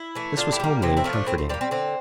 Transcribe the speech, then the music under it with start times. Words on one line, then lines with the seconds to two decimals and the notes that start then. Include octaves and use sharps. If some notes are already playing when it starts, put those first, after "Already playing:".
This was homely and comforting.
Already playing: E4
0.15 E3 A3
0.37 D3 D4 F4
0.52 E4 G4
0.60 G3 A#3
0.82 C3 C4 E4
0.97 C4 E4
1.04 F3 A3
1.13 D4
1.26 A2 C4
1.38 C4
1.49 G3 C4
1.54 A#3
1.61 C4
1.71 D3 C4